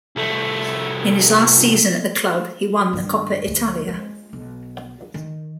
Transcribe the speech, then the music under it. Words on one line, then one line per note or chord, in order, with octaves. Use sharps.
In his last season at the club, he won the Coppa Italia.
C2 A3
G2 D#3
D2
G#3
B1
D#3